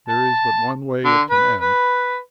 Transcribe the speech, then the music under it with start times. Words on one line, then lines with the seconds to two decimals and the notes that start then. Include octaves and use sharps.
There is but one way it can end.
0.09 A5
1.05 D3
1.31 B4
1.61 B4